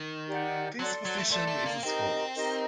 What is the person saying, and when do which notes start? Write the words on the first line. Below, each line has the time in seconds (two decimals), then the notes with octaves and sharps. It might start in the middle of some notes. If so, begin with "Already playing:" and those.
This position is as follows.
Already playing: D#3
0.27 D#4 G4 D5 F#5
0.79 F#3 A4 D5 A5 C6
1.05 F#3
1.18 A3
1.30 A3 A4 D5 A5 C6
1.47 A3
1.66 A#3
1.82 C4 D#4 G4 A#4 D#5
2.35 D#4 G4 A#4 D#5